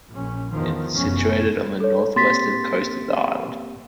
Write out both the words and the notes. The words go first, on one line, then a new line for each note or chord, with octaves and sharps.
It is situated on the north-western coast of the island.
A#1 C#4
E2 D#3 F3
F1 F#2 B3 C#4
A4 C#5
A#3 C4 G4 C6 A6 B6